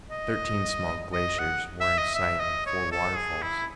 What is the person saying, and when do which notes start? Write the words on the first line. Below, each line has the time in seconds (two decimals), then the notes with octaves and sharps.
Thirteen small glaciers were in sight and four waterfalls.
0.11 D#5
1.13 D#5
1.39 F#5
1.81 E5
1.98 D#5
2.15 E5
2.40 D#5
2.66 C#5
2.92 A4
3.17 G#4
3.42 E4